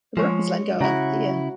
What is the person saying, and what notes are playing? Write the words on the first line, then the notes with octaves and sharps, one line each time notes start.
But the Rapids let him go after the year.
F3 G#3 C#5
C#3 E4 F#4 F#5 A#5